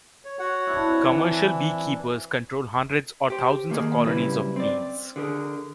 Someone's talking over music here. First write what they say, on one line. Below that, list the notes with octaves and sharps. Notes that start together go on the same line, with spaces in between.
Commercial beekeepers control hundreds or thousands of colonies of bees.
C#5
F#4 C#5 F#5
D4 E4
C4
E3
G4 C5
D#3 A#3 D#4 G#4
C#3 F#3 G3 C4 E4 B4
C4 D5
D3 G#4 A#4